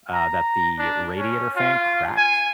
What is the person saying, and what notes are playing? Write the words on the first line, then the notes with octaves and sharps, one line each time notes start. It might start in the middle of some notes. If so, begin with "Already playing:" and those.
uh, that the radiator fan cracked,
A#5
D4
C#4
F4
G#5